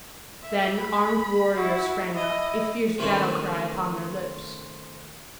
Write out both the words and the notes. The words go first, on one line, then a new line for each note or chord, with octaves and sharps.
Then armed warriors sprang up, a fierce battle cry upon their lips.
E5
B5
E4 F#4
E4 D#5
C3 D#3 E3 A3 C4 C#4